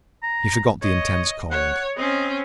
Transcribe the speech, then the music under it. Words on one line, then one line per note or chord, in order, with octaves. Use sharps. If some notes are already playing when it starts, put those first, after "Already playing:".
He forgot the intense cold.
A#5
C#5 D#5
C#5 F#5
C4 C#4 D#5